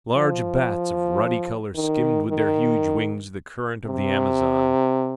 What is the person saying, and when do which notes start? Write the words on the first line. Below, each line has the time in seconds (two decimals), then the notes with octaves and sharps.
Large bats of ruddy color skimmed with their huge wings the current of the Amazon.
0.15 F3
1.75 D#3
2.28 D#3
3.87 C3